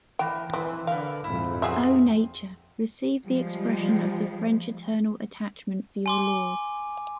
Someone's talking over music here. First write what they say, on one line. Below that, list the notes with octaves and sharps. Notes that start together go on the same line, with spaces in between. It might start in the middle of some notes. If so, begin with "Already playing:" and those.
O Nature, receive the expression of the French eternal attachment for your laws.
A2 E3 G5
E3 C4 B4
D3 A#4 B4 F5
A#1 F2 G#2 E4
F#3 C4 G#4 E5
F3 G3 G#3
G#5 C6 D6